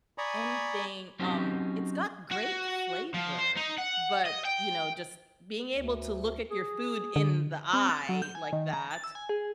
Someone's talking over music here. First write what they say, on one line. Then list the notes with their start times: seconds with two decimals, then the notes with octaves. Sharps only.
anything, um, it's got great flavor, but, you know, just being able to look at your food in the eye like that,
0.18 D5 G#5 A#5 B5 C#6 D#6
1.19 F#3 C4 C#4 D#4 F#4 G4
2.32 F#4
3.14 F3
3.38 C5
3.57 D#4
3.78 F#5
4.25 D#5
4.45 G5
5.73 D2
6.51 G#4
7.16 D3
7.73 C4
7.89 A6
8.09 F#3
8.22 G6
8.35 G#5
8.53 D#3
8.73 A#5
8.91 A6
9.04 E6
9.15 G#5
9.29 G#4